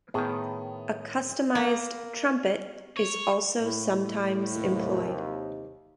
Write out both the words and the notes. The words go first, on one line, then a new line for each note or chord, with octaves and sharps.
A customised trumpet is also sometimes employed.
A2 D#3 B3 G#4
A#3 A#5
C#5
A2
D#2 C3